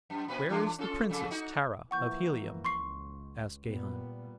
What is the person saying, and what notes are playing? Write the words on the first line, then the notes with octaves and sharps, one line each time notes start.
"Where is the Princess Tara of Helium?" asked Gahan.
F#2
A#2 C4 B4
E3 A3 D4
C#4 F4 A4
F2 C#3 A4
D#4 F#4
E3 F3 A#3 F#5 C#6 G6
C#2 C6 C#6 C7
A#2 G3 B3